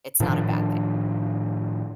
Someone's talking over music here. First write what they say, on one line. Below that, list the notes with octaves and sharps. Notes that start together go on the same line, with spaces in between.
It's not a bad thing.
A2 D#3 F3 D4